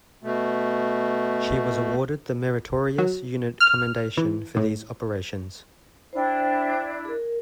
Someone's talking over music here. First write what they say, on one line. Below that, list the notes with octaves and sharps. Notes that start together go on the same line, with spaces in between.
She was awarded the Meritorious Unit Commendation for these operations.
B2 A3
F#3
F6
E3
A2
D4 E4 C5 G5
G#4 A#4